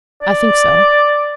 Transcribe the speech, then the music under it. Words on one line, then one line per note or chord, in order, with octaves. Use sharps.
"I think so."
D5